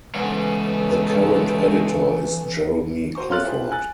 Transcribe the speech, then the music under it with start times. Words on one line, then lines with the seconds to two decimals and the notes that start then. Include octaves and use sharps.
The current editor is Jeremy Clifford.
0.15 C#3 E3 G#3 A3 B3 F#5
3.15 F#4 C5 C#6
3.29 C#5 F5 C6 F6 F#6 A6
3.43 E4 F4 G4 G#4 C5
3.71 G#5 F#6 A6